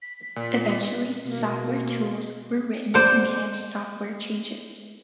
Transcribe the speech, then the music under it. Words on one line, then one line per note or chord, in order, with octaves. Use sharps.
Eventually, software tools were written to manage software changes.
B6
A#2
B2 A#3
C5 D5 F#5